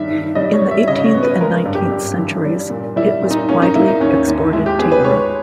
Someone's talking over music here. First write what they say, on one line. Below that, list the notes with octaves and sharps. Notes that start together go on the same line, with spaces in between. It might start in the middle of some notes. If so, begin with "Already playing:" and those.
In the eighteenth and nineteenth centuries it was widely exported to Europe.
Already playing: G2 D#3 G3 E5
D#3
G3 D#5
C#5
G3
E5
C#3 D#5
C#5
B3
B4
G#3 A#4
G2
G4
G2
E3
G3
A#2
G3 E4
A#2
D#4
A#3 C#4
D#4
A#3 E4
D#4
D#2 C#4
D#2
G#3 E4
G4
B3 G#4
B4
G#3 C#5